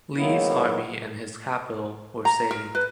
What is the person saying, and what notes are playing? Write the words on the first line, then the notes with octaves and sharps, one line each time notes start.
Lee's army and his capital were saved.
G#2 D#3 F#3 A#3 B3 E4
A#5
A#4
B4